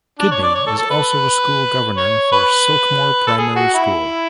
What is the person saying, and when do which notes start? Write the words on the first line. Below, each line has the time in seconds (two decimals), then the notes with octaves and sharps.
Kidney is also a school governor for Silkmore Primary School.
0.19 D4
0.31 C#5
0.43 D5
0.55 C#5
0.67 A4
0.78 A4
0.90 B4
1.97 C#5
2.32 B4
3.27 A4
3.38 G#4
3.56 F#4
3.74 E4